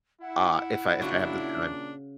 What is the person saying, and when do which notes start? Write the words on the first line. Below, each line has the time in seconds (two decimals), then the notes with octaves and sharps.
uh, if I if I have the time.
0.22 E4 F#5
1.02 A#2 C#3 D4 F#4